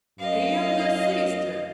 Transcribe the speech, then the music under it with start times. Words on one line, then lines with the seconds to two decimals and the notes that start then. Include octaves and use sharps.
A younger sister!
0.19 F#2 D#5 F5